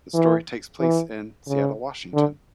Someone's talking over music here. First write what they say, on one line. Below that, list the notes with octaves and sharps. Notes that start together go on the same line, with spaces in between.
The story takes place in Seattle, Washington.
E3
E3
C#3
D3